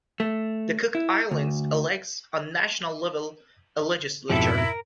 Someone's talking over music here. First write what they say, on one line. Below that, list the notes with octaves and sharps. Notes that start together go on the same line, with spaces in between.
The Cook Islands elects on national level a legislature.
A3
E4
D2
F2 G#2 B2 F3 E4 G4 A4
A#4